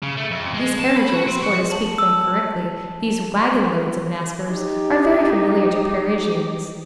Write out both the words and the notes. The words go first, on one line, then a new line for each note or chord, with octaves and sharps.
These carriages, or to speak more correctly, these wagon-loads of maskers are very familiar to Parisians.
C#3
A3
F2
G#3
A5
B5
F#4
C4
F#4
A5 F#7
E6
D#4 G4